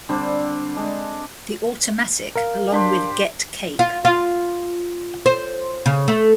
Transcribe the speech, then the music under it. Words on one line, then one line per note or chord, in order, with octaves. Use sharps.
The Automatic along with Get Cape.
D3 G3 C4 D4
G#3 D4
A#4 F5
D4 G4 C5
F4
F4
C5
C#3
A3